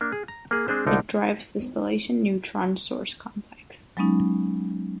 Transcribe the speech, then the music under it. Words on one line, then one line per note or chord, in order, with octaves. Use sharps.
It drives the spallation neutron source complex.
A#3 D4
G#4
A#5
A#3 G#4
G#3 C4 D4 G#4 C5
C2 D3 D#4 F4 F5 G5
F#3 G#3 B3 C#4 D#4